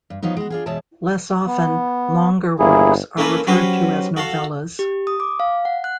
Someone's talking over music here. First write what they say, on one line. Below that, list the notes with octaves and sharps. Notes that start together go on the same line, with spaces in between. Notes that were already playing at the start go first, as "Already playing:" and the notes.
Less often, longer works are referred to as novellas.
G2
F3 F#3 B3 D#4
G#3 F#4
D4 F4 G#4
E2 B2 G#3 C#5 E5 A5
B3
G1 A#3 E4 G#4
A3 A#3 C#4 E4 A4 B4
F#3 C#4 F#4 G4 B4 C5
F#4 A4 F5
G4
D#6
D6
F5
F#5
F#6